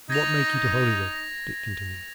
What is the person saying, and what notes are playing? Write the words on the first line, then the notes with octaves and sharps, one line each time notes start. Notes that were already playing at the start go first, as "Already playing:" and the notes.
"And what make ye to Holywood?" Dick continued.
D#4 G#6 A#6 F7